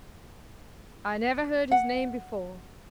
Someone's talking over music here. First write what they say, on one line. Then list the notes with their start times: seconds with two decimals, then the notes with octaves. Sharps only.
'I never heard his name before.
1.71 F#5